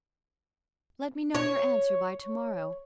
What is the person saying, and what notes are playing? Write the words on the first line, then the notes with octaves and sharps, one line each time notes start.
Let me know your answer by to- morrow.
C#5